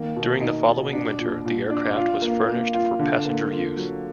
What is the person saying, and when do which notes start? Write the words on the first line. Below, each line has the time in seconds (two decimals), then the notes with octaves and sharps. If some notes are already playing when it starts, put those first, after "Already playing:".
During the following winter the aircraft was furnished for passenger use.
Already playing: D#3 A#3
0.16 B2
0.41 D#4
0.68 B2
0.93 D4
1.19 A#2
1.45 A#2
1.70 D4
1.96 F4
2.22 A#3
2.47 A#3
2.74 F4
2.99 D3
3.25 A#3
3.51 F4
3.77 F#3